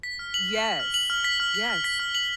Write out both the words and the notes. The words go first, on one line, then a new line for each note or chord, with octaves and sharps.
Yes. Yes.
B6
F6
F#7
F6
B6
F6
F#7
F6
B6
F6
F#7
F6
B6
F6
F#7